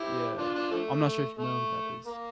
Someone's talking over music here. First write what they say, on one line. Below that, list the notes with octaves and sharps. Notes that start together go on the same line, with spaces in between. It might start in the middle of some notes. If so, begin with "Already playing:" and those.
Yeah. I'm not sure if you know who that is.
Already playing: E4 G4
D4 F4
D4 F4
D3 F3 A3
A3
A#3